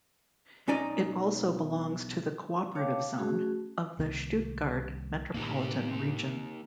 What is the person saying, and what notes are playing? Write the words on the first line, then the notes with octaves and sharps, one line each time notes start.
It also belongs to the "Cooperative Zone" of the Stuttgart Metropolitan Region.
B1 C#4 D#4 D5 D#5
C#5 F5 G5 A5 D6
A3 C#4 F#4 G#4
C2 D#3 A#3
A2 C3 A#3 D#4 G4